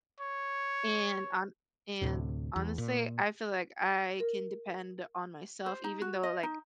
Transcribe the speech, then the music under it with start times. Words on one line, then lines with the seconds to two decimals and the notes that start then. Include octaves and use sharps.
and on and honestly, I feel like I can depend on myself even though, like,
0.20 C#5
2.01 D2 A2 C3
2.56 E2
2.78 A#2
4.20 A#4
5.66 C5
5.84 D#4
6.02 F#4
6.23 D#5
6.43 D#4